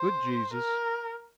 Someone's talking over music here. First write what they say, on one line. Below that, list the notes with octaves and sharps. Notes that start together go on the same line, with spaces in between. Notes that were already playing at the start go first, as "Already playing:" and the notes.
Good Jesus!...
Already playing: C5
A#4